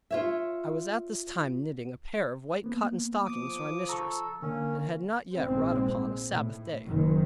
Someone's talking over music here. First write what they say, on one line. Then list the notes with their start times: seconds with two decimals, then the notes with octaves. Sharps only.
I was at this time knitting a pair of white cotton stockings for my mistress; and had not yet wrought upon a Sabbath day.
0.11 F4 C#5 E5
2.64 A#3 B3
3.26 F3 D6 D#6
3.89 A4 A#5 C#6
4.42 D3 A#3 C#4
5.38 A#1 G#2 G#3 C4
6.32 A2
6.84 F#1 F#2 D#3 F#3